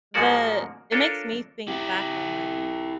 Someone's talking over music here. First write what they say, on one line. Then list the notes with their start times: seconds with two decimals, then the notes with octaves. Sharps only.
the it makes me think back on, like,
0.14 G#2 F3 G#3 A#3 F#4 D5
0.92 D4 F4 A4 A#4 C#5
1.68 E4 G4